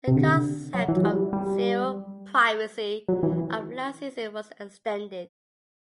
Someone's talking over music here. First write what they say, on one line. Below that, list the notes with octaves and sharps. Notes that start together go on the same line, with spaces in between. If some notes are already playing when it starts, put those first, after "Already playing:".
The concept of "Zero privacy" of last season was extended.
C3
D3
F#3
E3
F#3
G3
G3
F#3
E3